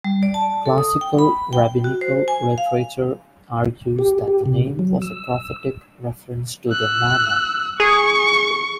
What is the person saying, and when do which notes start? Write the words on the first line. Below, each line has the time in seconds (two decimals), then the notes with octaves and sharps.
Classical rabbinical literature argues that the name was a prophetic reference to the manna.
0.04 G3
0.23 D5
0.34 A5
0.66 A4
0.78 D#6
1.01 G5
1.19 B5
1.53 G5
1.84 F#4
2.01 C5
2.28 G#5
2.58 F5
3.99 G4
4.28 G4
4.46 C3
4.79 F#3
5.02 E6
6.71 E6 F#6
7.80 G#4 C#6